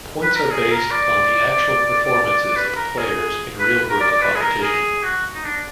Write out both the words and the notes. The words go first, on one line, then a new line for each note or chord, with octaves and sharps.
Points are based on the actual performances of the players in real-world competition.
B4
A#4
G#4
A#4
D5
B4
A#4
G#4
B4
A#4
D5
D5
B4
G#4
A#4
G#4
F#4
D#4
D4